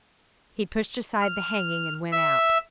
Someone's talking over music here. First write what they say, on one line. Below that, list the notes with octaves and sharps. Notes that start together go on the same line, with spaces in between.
He pushed aside the hanging and went out.
F6
E5